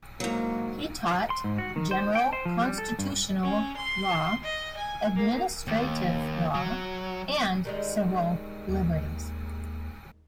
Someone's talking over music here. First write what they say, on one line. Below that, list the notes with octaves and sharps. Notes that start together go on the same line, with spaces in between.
He taught general constitutional law, administrative law and civil liberties.
G#2 F#3 A#3
C6
G#2
F#4
D#3
C5
G5
C5
F3
G3
A4
G2
C#4
C6
D#5
G#5
A#3
D#2
F#3
D#3 G3 G#3
D#2